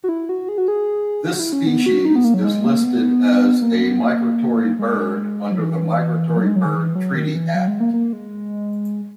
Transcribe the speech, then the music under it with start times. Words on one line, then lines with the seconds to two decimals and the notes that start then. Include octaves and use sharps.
This species is listed as a migratory bird under the Migratory Bird Treaty Act.
0.04 F#4
0.09 E4
0.29 F#4
0.49 G#4
0.58 F#4
0.68 G#4
1.27 F#4
1.39 E4
1.53 C#4
1.67 B3
1.86 F#4
2.05 D#4
2.16 B3
2.24 A#3
2.34 F#3
2.45 G#3
2.65 A#3
2.84 B3
3.62 A#3
3.82 B3
4.01 A#3
4.79 G#3
5.52 F#3
5.59 E3
6.29 E3
6.37 F#3
6.46 G#3
6.56 F#3
6.65 D#3
6.75 E3
6.95 F#3
7.15 D#3
7.35 E3
7.55 F#3
7.68 G#3
7.80 A#3
7.94 A#3
8.13 G#3